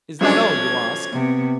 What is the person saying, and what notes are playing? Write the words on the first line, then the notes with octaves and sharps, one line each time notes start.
"Is that all you ask?"
G2 F3 F#3 C#4 D4 A4 G#6
C3 B3